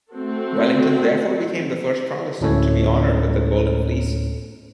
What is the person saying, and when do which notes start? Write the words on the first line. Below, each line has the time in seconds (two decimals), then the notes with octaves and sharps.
Wellington therefore became the first Protestant to be honoured with the Golden Fleece.
0.12 A3 C4 F#4 A4
2.41 D2 A2 C#4 A4 C#5